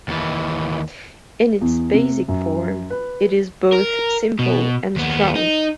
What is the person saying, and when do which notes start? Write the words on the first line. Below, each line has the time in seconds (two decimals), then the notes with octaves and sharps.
In its basic form it is both simple and strong.
0.08 D#2 E3
1.61 E2
1.94 C3
2.28 F#2
2.90 B4
3.72 A#4
4.39 B2
4.96 D#2 B3
5.35 D#4